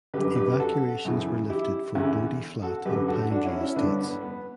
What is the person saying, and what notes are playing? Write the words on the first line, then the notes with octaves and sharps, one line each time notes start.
Evacuations were lifted for Bodie Flat and Pine View Estates.
F#2 D3 G4 B4
G4 B4
F#4 A4
F#2 C#3 E3
E4 G4
E2 D3
F#4 A4
F#2 D3 G4 B4
F#4 A4
D4 F#4
C#4 E4
C#4 E4
G2 D3 B3 D4
B3
B3